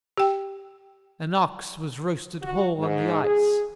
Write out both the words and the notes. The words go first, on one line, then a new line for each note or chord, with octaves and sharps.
An ox was roasted whole on the ice.
G4 G5
F#4
G#2
G#4